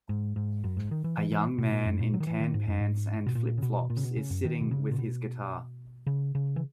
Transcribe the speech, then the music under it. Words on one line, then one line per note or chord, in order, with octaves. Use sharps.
A young man in tan pants and flipflops is sitting with his guitar.
G#2
G#2
F#2
G#2
D#3
E3
E3
E3
B2
A#2
F#2
A#2
F#3
D#3
E3
D#3
G#2
F#2
G#2
B2
A#2
C#3
B2
A#2
C#3
B2
C#3
F#2
D#3
B2
C#3
A#2
B2
C#3
C#3
E3